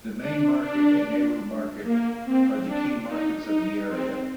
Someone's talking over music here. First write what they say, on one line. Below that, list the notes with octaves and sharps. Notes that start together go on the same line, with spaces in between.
The Main Market and Nehru Market are the key markets of the area.
D4
D4
A#3
C4
D4
D#4
D#4
C4